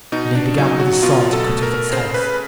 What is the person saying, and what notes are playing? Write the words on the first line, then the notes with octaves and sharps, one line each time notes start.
Then he began with his sword to cut off its heads.
B2 D#4
D4
F#3 D#4
F#4
B2 F4
A4
A3
A#4
C#3 C5
B4